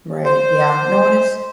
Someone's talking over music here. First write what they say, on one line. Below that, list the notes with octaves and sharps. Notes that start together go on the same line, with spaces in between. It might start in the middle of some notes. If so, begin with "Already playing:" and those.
Right, yeah. No, and it's
C5